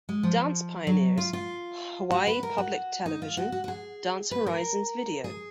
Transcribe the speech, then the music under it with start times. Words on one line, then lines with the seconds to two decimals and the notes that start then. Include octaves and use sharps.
Dance Pioneers; Hawaii Public Television; Dance Horizons Video.
0.09 G#3
0.23 F3
0.87 F#3
1.17 F4
1.33 F4
2.11 F#4
2.27 B4
2.43 A#4
2.58 F#4
3.06 D#4
3.22 F4
3.37 F#4
3.52 F#4
3.64 F#4
3.68 G#4
4.31 B4
4.46 A#4
5.24 G#4